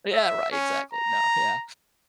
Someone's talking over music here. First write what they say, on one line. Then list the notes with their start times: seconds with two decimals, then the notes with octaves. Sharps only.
Yeah, right, exactly no, yeah.
0.13 E5
0.52 C#4
0.93 A#5